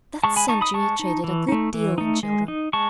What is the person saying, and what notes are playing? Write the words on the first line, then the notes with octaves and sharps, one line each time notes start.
That century traded a good deal in children.
G#3 A5 C#6
G#5 B5
D#4 A5 C#6
B5 D#6
G#3 A5 C#6
D#4
E3
A3 D#4
E3
A3 D#4
G#3
D#4
G#3 A5 C#6